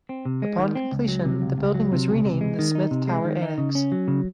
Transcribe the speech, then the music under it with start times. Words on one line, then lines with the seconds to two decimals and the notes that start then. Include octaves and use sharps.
Upon completion the building was renamed the Smith Tower Annex.
0.09 C4
0.25 C3
0.42 G#3
0.58 D#3
0.75 C4
0.92 C#2
1.08 F#3
1.25 C3
1.42 C#2
1.58 C#2
1.74 F#3
1.92 C3
2.09 C#2
2.25 C3
2.41 G#3
2.59 D#3
2.75 D#4
2.91 C3
3.07 G#3
3.25 D#3
3.42 D#4
3.58 C#3
3.75 C#4
3.92 F#3
4.08 C#3